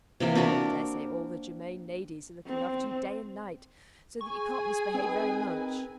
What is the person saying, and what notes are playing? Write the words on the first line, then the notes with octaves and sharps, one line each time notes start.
I daresay all the Germain ladies are looking after you day and night, so that you can't misbehave very much.
C3 E3 A#3
C4 D4 F#4 A#4
C4
G#4 G#5 C#6
C4 D#4 A#4 B4